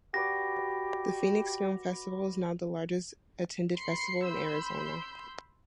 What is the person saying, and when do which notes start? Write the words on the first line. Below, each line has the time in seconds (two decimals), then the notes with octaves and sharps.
The Phoenix Film Festival is now the largest attended festival in Arizona.
0.14 F#4 G4 B4 D5 A#6
3.76 B5 C6 C7 C#7
4.23 B5 C6 E6 G6